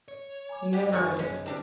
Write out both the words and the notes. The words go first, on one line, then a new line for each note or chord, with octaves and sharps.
You have earned it.
C#5
G#5 A#5 D6
G#3 G4 C5 D#5 F#5
F#2 D3 D#3 F#4 E5 G#5 C#6
G#3 C#4
G3 C4 D4 E4 D5